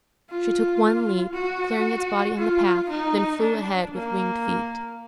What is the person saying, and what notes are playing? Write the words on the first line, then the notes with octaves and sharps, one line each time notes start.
She took one leap, clearing its body on the path, then flew ahead with winged feet.
F4
F#4
F4
D#4
D4
A#3